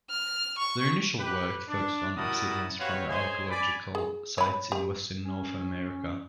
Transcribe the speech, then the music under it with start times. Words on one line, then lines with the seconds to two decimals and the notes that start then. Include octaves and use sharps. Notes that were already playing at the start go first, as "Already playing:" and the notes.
Their initial work focused on obsidians from archaeological sites in western North America.
0.10 F6
0.58 C#6
1.19 G4 B4
1.68 D4
2.17 G3 E4 F#4 A#4 A5 D#6
2.79 C4 F#4 G4 B4 C#5 F5
3.09 G#4 C5 C#5 D#5 G#5 C6
3.49 D5 G#5 B5
3.95 G#4
4.38 C#5 B5
4.72 G4
5.25 C#4